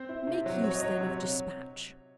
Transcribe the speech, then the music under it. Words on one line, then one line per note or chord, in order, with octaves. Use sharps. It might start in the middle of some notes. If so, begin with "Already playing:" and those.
Make use then of despatch.
Already playing: C4 C5
E4
C3
F#3
F#3 C#5
D#5
F#3 C#5
C3